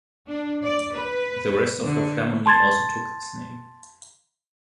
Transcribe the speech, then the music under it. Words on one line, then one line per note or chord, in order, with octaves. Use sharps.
The rest of her family also took this name.
D4
D5
B4
D3
A5 C6 G#6 A6